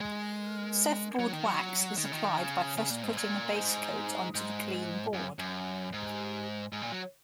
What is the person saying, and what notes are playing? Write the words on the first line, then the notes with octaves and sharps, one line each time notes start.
Surfboard wax is applied by first putting a basecoat onto the clean board.
G#3
F#3
D#3
F#3
D#3
C#3
D#3
C#3
C#3
A#2
G#2
A#2
G#2
G#2
F#2
F#2
G#2
G#2
A#2
F#3